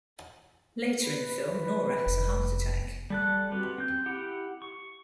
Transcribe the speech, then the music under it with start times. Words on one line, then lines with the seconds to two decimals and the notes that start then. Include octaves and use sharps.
Later in the film, Nora has a heart attack.
1.02 B4
2.06 F1
3.10 G3 A4 F#6
3.52 C4 F#4 G4 B4
3.78 C4 G6
4.06 E4 G4 F#5
4.62 C#6